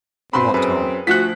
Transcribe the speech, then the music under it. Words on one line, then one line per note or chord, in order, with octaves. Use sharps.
She walked home.
G1 C4 B4 B5 C6
F#2 G#4 B4
D2 F3 F#4 F#6 B6